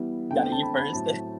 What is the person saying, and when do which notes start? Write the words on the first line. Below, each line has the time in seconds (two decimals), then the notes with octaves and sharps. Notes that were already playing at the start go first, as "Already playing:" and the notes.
Gotta eat first.
Already playing: E3 G3 B3 E4
0.31 D3 A3 C4 G5
0.41 G5
0.52 A5
0.63 B5
0.77 B5
0.93 A2 F#3 C4 E4 A5